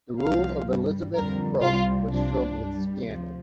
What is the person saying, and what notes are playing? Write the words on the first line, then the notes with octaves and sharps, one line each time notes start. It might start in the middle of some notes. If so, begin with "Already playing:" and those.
The rule of Elizabeth Broke was filled with scandal.
C2 C3 F3 F5
G2 G3
F2 D3 G3 A#4
C2 C3 G3 F4
C2 C3 F3 D4
G2 G3
D2 C3 F3